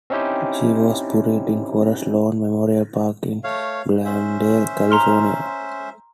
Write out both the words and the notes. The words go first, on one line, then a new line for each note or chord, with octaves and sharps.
She was buried in Forest Lawn Memorial Park in Glendale, California.
C4 C#4 D#4 E4 G4 C5
A3 C#5 F5
C#4 C5 E5
A#5 C6 F6